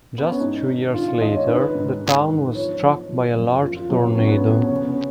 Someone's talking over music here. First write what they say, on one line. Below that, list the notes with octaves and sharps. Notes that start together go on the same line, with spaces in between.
Just two years later the town was struck by a large tornado.
B3
C#4
G#2 D#4
D#3
D#3 F4
F4
G#2 D#5
C#5
D#3 B4
G#2
D#3
G#2
F3 C#5
F3
F3
F#2
F3 F4
F4
F3 F#3
B3
F3 C#4
B3
F3 C#4
B3
C#4
C#3
B3
C#4